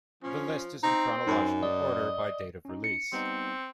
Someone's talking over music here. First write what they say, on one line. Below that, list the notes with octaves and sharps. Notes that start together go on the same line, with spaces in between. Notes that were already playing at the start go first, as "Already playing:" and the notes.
The list is in chronological order by date of release.
F3 C#4
C4 D#4
F#2 D#4 G#5
D5 D#5
C#4 D#4
C#7
G3 B3 C4 D#4